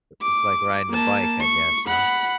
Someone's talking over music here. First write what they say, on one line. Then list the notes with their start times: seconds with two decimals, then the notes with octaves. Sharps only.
It's like riding a bike, I guess, huh?
0.22 D6
0.91 A#3 A5
1.40 C#6
1.88 F#5 B5